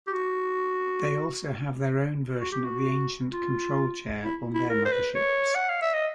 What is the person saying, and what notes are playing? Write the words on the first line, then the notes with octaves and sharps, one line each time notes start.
They also have their own version of the Ancient control chair on their motherships.
G4
F#4
F#4
G4
F#4
F4
E4
E4
A#4
C5
B4
C#5
F#5
F5
E5
D#5